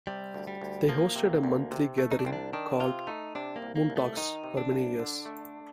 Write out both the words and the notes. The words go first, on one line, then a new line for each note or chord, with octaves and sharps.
They hosted a monthly gathering called "Moontalks" for many years.
C3 G3
D2
G3
D2
F3 A#3
C3
D2
C3
A3
D#4
D4
C2 C4
D4
D#3 D4
C3 F4
A3 D#4
C3 D4
A#3
C2
A#3
C2
A3
D#3 D#4
C3
D4
C2
D3
A3